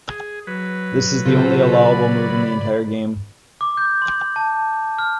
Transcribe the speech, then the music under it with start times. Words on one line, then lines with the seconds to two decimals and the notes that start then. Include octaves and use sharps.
This is the only allowable move in the entire game.
0.10 G#4
0.47 F#3 B4
1.26 A#2 C#3 F4 F#4 A4 C5
1.79 D5 B5
3.61 D6
3.77 G6
4.02 C6
4.36 A5
4.99 F6